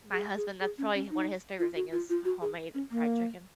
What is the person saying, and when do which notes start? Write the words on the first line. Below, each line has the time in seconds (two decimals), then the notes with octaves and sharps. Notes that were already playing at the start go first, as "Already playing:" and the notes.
my husband, that's probably one of his favorite thing is homemade fried chicken.
0.12 G#4
0.37 G#4
0.61 G#4
0.78 C#4
0.95 C#4
1.11 D#4
1.59 F4
1.76 F#4
1.92 F4
2.10 F4
2.25 F#4
2.42 G#4
2.74 C#4
2.91 A#3